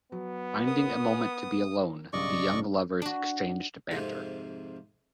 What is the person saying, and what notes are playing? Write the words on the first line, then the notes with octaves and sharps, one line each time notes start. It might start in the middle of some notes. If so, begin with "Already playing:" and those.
Finding a moment to be alone, the young lovers exchange banter.
F#3 B3
A#4 D#6
B1 G2 C#3 D5 D#5 C#6
D4 F#4
F2 G#2 C3 F3